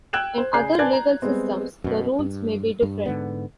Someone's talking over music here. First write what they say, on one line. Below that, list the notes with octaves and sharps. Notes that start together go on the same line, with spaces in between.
In other legal systems, the rules may be different.
G5 E6 F#6 G#6 E7 F#7
C5
C#3 G#4 D5 F#6 G6 C7
B4 D5 G#5 A5 F#6 G#6
A#5
G3 G#3 B3 C4
F#2 B2
G2
G2
G#2 D3 B3